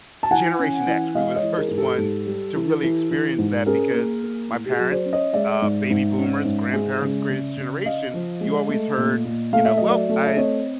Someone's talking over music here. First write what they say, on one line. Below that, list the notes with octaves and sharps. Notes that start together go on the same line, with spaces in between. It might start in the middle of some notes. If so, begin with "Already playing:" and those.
Generation X. We were the first ones to really experience that, because my parents uh, baby boomers, grandparents- greatest generation you always heard, you know, "Well, I
A5
E3 F#5 G#5
C#4
E3
G#3 D#5 F5
C#5 D#5
E3
G#4 A#4
G#2 A#4
G4 A4
G#2
G3
E3
E3
E3
G#2
C#4 G#4 A#4
A#3
A#3
A2
G4
F#4 G#4
F#3
C5 D5
C#4
C#5 D#5
G#3 D5 E5
G#2
G#2
C#4
G#2
G#3
C#3
C#3
C#3
C#3 D#5 F5
F3
G#3
A3
A#2
A#2
A3 F5
E5
F#3 D#5
D5 E5
A3
E5
C4 C#5 D#5